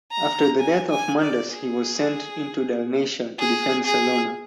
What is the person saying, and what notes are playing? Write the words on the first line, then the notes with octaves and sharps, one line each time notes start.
After the death of Mundus he was sent into Dalmatia to defend Salona.
A#5
G#5
G#5
D5
G#4
G#4
G#4